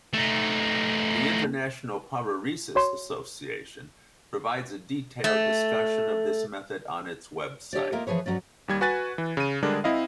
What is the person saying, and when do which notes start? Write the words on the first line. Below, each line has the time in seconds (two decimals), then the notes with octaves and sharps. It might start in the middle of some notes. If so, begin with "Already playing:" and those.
The International Paruresis Association provides a detailed discussion of this method on its website.
0.14 A3 D#4
2.75 F#4 C#5 C6
5.24 A3
7.73 D4 G4 C#5 D5
7.92 A#3 F4 A#4 D#5 E5
8.07 E3 F3 G#4 B4 C#5
8.26 G#2 B2 F#3 C#4 D5
8.68 D#2 G3 G#6
8.81 F#4 B4 G#5 F#6 A6
9.18 E3
9.37 C#3 D#7
9.63 D3 G3 G#3 D4 G#4 A#4
9.84 C4 E4 D#5 F5